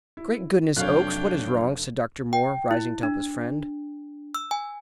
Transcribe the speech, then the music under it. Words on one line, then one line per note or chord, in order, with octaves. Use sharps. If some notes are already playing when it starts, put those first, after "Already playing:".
"Great goodness, Oakes, what is wrong?" said Dr. Moore, rising to help his friend.
E4
F1 F#3 D4 C#5 F5 G5 F#6
G5
E4
D4
E6
G#5